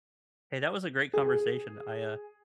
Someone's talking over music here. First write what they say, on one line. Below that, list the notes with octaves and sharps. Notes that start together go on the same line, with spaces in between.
Hey, that was a great conversation. I, uh
G#4